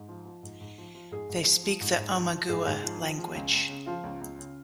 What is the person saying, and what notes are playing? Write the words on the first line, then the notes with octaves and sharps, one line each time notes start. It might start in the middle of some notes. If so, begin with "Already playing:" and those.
They speak the Omagua language.
Already playing: G#2
F3
F3
G#2
G#2
F3
F3
G#2 G#4
G#2
F3
F3
G#2
G#2
F3
F3
G#2 G#4
G#2
F3
F3
F3
C#2
C#2
C#3
F3 F4
C#2
C#2
C#3